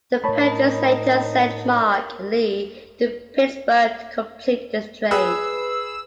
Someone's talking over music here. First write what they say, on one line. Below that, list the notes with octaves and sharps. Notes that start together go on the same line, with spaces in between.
The Padres later sent Mark Lee to Pittsburgh to complete the trade.
A2 A3 D#4 A#4 C#5 A5 B5
G#4 B4 E6